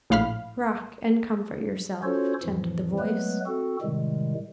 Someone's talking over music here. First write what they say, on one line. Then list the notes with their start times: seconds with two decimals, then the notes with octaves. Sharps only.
"Rock, and comfort yourself--" tempted the voice.
0.10 A#1 A2 F5 B5 F6
2.03 C#4 F4 F#4 A4 C5 C#5
2.41 F2 A2 E3 F3
2.99 F#3 G#3 A3 B3 B4
3.46 C4 F#4 A4
3.82 A2 C3 D#3 G3 G#3